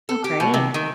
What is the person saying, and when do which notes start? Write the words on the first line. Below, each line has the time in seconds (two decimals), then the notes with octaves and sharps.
Oh, great.
0.09 A4
0.24 G4
0.40 B2
0.54 C3
0.74 D#3